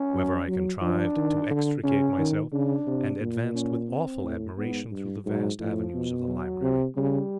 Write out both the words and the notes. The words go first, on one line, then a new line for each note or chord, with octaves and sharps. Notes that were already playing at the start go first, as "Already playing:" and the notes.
However, I contrived to extricate myself, and advanced with awful admiration through the vast avenues of the library.
Already playing: C#4
F#3
F#3
F3 D4
D#3
D3
C#3 C#4
D#3
C#3 D4
C3
A#2
C#4
C4
A2
G#2 B3
G2
G#2 F#3
A2 F3
B2
F#3
C3
C#3 G3